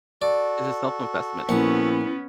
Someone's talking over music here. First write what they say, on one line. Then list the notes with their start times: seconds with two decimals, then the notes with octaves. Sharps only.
It's a self investment.
0.22 F#4 A4 D5
1.49 A#1 B3 C#4 E4 F#5